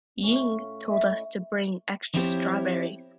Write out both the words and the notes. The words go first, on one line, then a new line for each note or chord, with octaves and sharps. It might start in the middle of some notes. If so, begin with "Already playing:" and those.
Ying told us to bring extra strawberries.
A2 C#4 F4
E4 D#5
F3 C4 E4 G4 C5 C#5